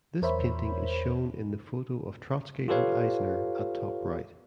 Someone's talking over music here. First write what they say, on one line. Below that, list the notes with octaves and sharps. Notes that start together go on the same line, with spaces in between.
This painting is shown in the photo of Trotsky and Eisner at top right.
E2 A#4 C5 C#5 E5 B5
F4 G4 A4 B4 C#5 F5